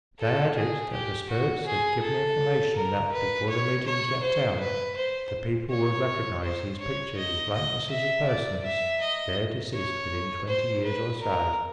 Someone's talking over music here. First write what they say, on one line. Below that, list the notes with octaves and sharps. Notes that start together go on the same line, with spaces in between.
They added, that the spirits had given information that, before the mediums left town, the people would recognize these pictures as likenesses of persons there deceased within twenty years or so.
A4
G#4
G4
F#4
G#4
A4
A#4
B4
C#5
C#5
C5
B4
C5
C#5
C5
C#5
D#5
D#5
E5
D5
E5
D#5
C#5
C5
B4
A#4